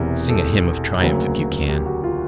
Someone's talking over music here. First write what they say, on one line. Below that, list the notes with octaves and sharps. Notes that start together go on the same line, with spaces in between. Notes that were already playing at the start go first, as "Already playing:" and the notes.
Sing a hymn of triumph if you can....
Already playing: E1 E2 C3 E3 A#4
A4
D2 C#3 F#3 A#3
G4
F#4
F4